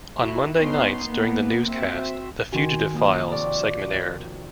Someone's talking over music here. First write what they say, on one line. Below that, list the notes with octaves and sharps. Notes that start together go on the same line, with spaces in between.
On Monday nights during the newscast, the "Fugitive Files" segment aired.
E4 F#4
B3 C#4 D#4 C6
A#3 B3
C4 F#4 E5
D#3 F#4 G#5 C6
A#2 F3
C3 D5 C#6